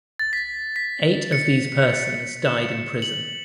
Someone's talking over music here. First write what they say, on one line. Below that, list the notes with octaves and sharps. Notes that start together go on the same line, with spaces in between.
Eight of these persons died in prison.
A6
B6
B6
C#7
E7
F#7